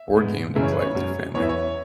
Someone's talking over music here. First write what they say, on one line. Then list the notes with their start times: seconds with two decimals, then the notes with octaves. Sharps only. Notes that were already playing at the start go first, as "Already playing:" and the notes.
board game to play with your family?
Already playing: E5
0.16 G#2 G#3 B3
0.55 F#2 C#3 E3 G#3 E5
0.63 C#5
0.72 B4
0.81 C#5
0.95 F#2 F#3 C#4
1.34 E2 E3 B3 C#5
1.42 E5
1.49 C#5